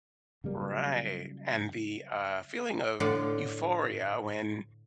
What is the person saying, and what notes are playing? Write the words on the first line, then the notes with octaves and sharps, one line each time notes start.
Right, and the, uh, feeling of euphoria when
C#3 F#3 G3 A#3
A2 D3 F4 D5 F#5